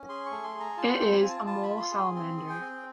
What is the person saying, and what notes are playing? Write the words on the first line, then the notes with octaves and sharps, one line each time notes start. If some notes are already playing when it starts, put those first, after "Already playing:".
It is a mole salamander.
Already playing: C#4
G#4 C6
C#6
A3
C6
G#4
A#5
F4 A5
G5
C4
G#5
F4
A5
F4 A5
B5
F4
C6
G#4
C6
C4 C6
G#4
G5
C4